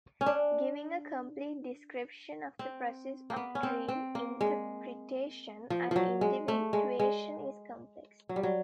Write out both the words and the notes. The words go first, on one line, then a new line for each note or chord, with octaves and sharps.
Giving a complete description of the process of dream interpretation and individuation is complex.
C#4
D4
C4
A#3
B3
C#4
C4
C4
A#3
G#3
F3
F3 F#3
G#3
A3
G#3
G#3
F#3
G3
F#3